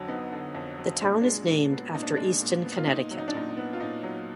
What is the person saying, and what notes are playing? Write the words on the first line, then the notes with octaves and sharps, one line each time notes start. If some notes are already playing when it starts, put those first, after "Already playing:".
The town is named after Easton, Connecticut.
Already playing: F2 D3 F#3
B3 D#4
D3
F2
F#3
A#2 D4
G#3 D4
A#2
B3
A#2 D#4
D4
G#3 D4
A#2
B3
F4
A#2 D#4
F#3
D#4
D4
A#2 D#4
D#4
B3
F4
A#2 D#4
F#3